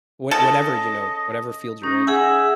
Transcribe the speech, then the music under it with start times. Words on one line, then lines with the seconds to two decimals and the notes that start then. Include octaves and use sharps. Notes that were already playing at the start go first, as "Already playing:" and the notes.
what whatever, you know whatever field you're in.
0.31 C#3 A4 D#5 A5
1.83 C#4 D#4
2.07 G#4 E5 F#5 G#5